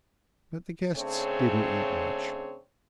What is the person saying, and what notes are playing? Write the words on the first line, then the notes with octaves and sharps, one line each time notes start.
But the guests didn't eat much.
C#3 A3 C4 D4 G#4 C#5